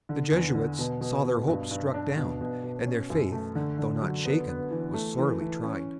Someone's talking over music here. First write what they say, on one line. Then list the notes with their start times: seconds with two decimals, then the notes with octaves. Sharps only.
The Jesuits saw their hopes struck down; and their faith, though not shaken, was sorely tried.
0.09 D3
0.32 E2
0.55 D3
0.79 B2
1.01 B2
1.25 B2
1.48 G2
1.71 G2
1.94 D4
2.17 B2
2.41 B2
2.63 B2
2.86 C#4
3.10 F#2
3.32 A3
3.55 D3
3.78 D3
4.02 F#3
4.26 B3
4.49 B3
4.71 E3
4.94 A3
5.17 E3
5.41 E3
5.63 C#4